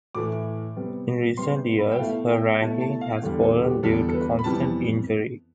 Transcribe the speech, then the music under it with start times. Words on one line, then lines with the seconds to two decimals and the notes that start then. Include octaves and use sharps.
In recent years her ranking has fallen due to constant injury.
0.15 A2 E3 A3 E4 D6
0.76 C3 G3 B3
1.37 C3 G3 B3 C6
1.79 B5
1.91 G5
1.99 B2 A3 E4 F5
2.30 G5
2.60 B2 A3 E4 A5
2.81 A5
3.01 F5
3.22 E2 D3 G3
3.43 A4
3.63 G4
3.83 E2 D3 G3 A4
4.09 A4
4.14 B4
4.39 B5
4.44 F2 C3 E3 G3 B3 A5